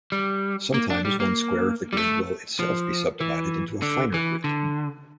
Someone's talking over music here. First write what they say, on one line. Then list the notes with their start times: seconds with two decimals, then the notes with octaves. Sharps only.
Sometimes one square of the grid will itself be subdivided into a finer grid.
0.12 G3
0.74 A#3
0.90 D4
1.05 G3
1.20 A#3
1.93 G3
1.97 A3
2.59 F3
3.21 E3
3.82 D3
4.14 E3
4.44 D3